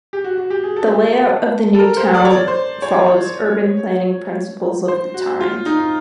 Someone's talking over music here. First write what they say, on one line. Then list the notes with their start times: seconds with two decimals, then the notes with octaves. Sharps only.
The layout of the new town follows urban planning principles of the time.
0.13 G4
0.24 F#4
0.37 F#4
0.50 G4
0.63 G#4
0.76 A4
1.74 A4
1.79 A#4
1.97 C5
2.14 D5
2.25 C#5
2.30 D5
2.48 C5
2.82 C#5
4.88 C5
5.14 F#4
5.41 F4
5.66 D#4